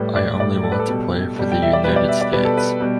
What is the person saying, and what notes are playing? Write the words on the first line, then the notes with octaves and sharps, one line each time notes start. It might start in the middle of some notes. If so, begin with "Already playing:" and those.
I only want to play for the United States.
Already playing: A2 G3 B4
D5
A2 G3 D5
A4
B4
A4
B2 G3
B2 G3
G5
E5
D5
B2 G3 B4
D5
E5
D5
B2 G3 B4
A4
B4
B2 G3